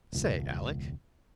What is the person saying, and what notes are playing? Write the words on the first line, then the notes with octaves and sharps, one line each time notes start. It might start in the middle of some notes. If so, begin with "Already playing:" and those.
"Say, Alec."
E1 C#2